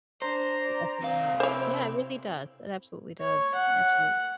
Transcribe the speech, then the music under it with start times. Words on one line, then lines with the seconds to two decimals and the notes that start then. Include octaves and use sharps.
a whole lot. Yeah, it really does, it absolutely does. Absolute
0.22 D4 C5 A#5
0.62 D5
1.03 C3 C4 F5
1.40 C4 E4 C5 C#5
3.21 C#5
3.55 F#5